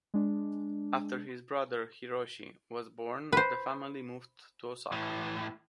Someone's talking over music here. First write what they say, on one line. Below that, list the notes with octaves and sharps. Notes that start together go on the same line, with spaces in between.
After his brother, Hiroshi, was born, the family moved to Osaka.
G#3 D4
B4 C5
A2 E3